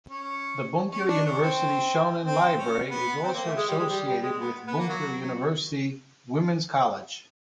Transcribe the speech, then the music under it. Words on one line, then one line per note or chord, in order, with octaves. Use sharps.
The Bunkyo University Shonan library is also associated with Bunkyo University Women's College.
C#4
C#4
D4
C#4
C4
C4
C#4
B3
C4
A#3
A3
G#3
G3
G#3
G3
G3
G#3
B3
B3
A#3
F#3
F#3